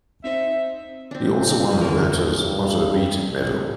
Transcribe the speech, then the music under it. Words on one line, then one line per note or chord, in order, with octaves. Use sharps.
He also won the latter's Otto Beit Medal.
C4 D#4 C5 E5
C4 D4
C4
D3 D4 A#4
G2